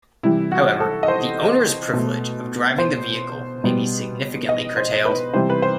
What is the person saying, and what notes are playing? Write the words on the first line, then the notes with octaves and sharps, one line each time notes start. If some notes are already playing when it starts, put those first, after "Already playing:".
However, the owner's privilege of driving the vehicle may be significantly curtailed.
C3 E3 G3 E4
F#4
A4
D#5
C5
B2 A3
C5
B2 G3 B3
D#5
C5
B4
C3 E3 G3 C5
B4
C5